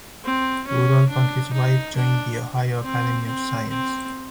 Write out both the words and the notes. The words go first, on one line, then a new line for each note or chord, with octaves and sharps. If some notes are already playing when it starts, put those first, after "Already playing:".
Rudolph and his wife joined the Ohio Academy of Science.
C4
C#4
D4
D#4
D4
C4
C4
C4